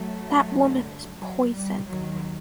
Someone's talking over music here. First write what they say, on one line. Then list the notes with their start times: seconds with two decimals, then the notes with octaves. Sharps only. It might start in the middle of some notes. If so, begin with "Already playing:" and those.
That Woman Is Poison!
Already playing: F#3 A3
0.48 F#2 D3
1.18 F#3
1.52 G3
1.87 D#2 D#3 F#3